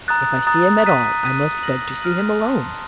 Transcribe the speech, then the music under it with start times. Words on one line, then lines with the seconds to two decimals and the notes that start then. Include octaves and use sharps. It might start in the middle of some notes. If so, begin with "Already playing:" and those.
"If I see him at all, I must beg to see him alone."
0.08 A#5 D#6 F#6 A6
0.47 A#5 D#6 F#6 A6
0.85 A#5 D#6 F#6 B6 D#7
1.24 A#5 D#6 F#6 B6 D#7
1.63 F6 A#6 D#7 F#7
2.01 F6 A#6 D#7 F#7
2.40 A5 C6 F6